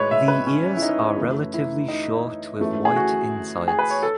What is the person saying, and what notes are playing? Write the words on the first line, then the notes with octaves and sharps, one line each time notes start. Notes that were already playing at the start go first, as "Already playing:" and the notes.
The ears are relatively short with white insides.
Already playing: A2 G#3 B4 C#5
E5
B4
C#4
E4
D#4
F#2 E3 A3 E4
E4
D#4
F#2 E3 A3
G#4
F#4
G#4
B4
C#5
A4